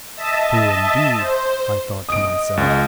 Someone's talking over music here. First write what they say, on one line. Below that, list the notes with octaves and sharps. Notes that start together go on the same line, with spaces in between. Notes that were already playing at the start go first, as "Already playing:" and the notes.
"Who, indeed," I thought to myself.
D#5 E5 A5
C5
D#5 D#6 D7
C#2